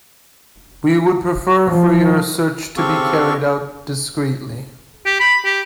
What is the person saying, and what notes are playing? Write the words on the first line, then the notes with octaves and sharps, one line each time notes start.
We would prefer for your search to be carried out discreetly.
F3
C#3 C4 G4 A4 F5 C#6
G4
B5
G4